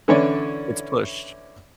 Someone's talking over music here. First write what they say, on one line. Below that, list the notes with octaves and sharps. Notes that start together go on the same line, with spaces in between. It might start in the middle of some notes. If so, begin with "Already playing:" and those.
It's pushed.
D3 E3 C#4 E4 C#5 D5